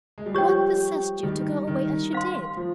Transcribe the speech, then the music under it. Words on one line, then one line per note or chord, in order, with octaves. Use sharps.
What possessed you to go away as you did?
G#3
G3
F3 G4 C#5 G5
D#3 G3
D#3
C5 F5 C6
F3